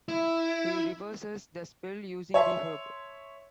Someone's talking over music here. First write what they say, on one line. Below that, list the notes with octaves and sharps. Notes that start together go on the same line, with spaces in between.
He reverses the spell using the herb.
E4
C#5 E5 A5 C6